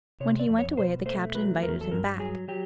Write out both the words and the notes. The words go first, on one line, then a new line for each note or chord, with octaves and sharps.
When he went away the Captain invited him back.
C3 C#5
D5
F2
C#5
B2 C5
A3 C5
F#3 B4
E2 A#4
A4
G2 A#4
F#3 G#4
F#3 G4